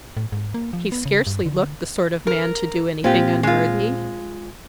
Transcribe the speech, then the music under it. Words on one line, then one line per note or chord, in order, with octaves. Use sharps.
He scarcely looked the sort of man to do anything unworthy.
A2
G#2
A#3
F3
B3
C#3
G2
D3
A#4
A#2 G#3 C4 F4 G4
G#3 F4